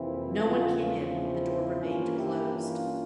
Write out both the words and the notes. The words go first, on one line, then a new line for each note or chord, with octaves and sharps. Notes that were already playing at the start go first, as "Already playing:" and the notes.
No one came in, the door remained closed.
Already playing: F2 C3 E3 A#3 C4 E4
E2 C#3 F3 C4 C#4 F4
C#4
C4 E4
G2 E3 A#3 C#4 F4
E4 G4
C#4 F4